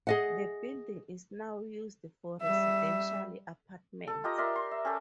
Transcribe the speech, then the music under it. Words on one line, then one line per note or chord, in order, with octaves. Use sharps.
The building is now used for residential apartments.
G#4 D#5 F#5
G3 E5
A4
F4 G4 D#5 A#5
A#4 D5 E5 C6
C6
E5
C#4 G4 A4